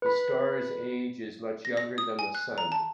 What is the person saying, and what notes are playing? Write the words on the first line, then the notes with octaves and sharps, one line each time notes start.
The star’s age is much younger than the Sun.
B4 B5
A#6
A#6
D#6
G#5
F#6
A#5
A5